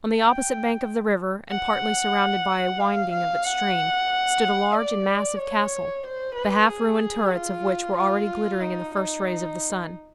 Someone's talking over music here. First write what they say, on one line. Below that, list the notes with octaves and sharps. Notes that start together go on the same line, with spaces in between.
On the opposite bank of the river, and partly surrounded by a winding of its stream, stood a large and massive castle, the half- ruined turrets of which were already glittering in the first rays of the sun.
G5
F#5
F5
F5
F#5
D5
C#5
C5
B4
G#4
F4
F4
D#4
D#4